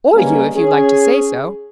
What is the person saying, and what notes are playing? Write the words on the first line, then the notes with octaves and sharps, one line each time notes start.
"Or you, if you like to say so."
G3 G#3 A#3 B3 C#4
C#4 G#4